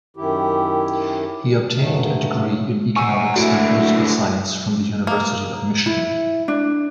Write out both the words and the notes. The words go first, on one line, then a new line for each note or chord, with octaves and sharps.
He obtained a degree in economics and political science from the University of Michigan.
F#2 D#3 E4 G4
G2 C#3 F#3 A3
F#5 G#5 C#6 E6 D#7
D3 A3 E4 F#4 D7
A#3
E4
D4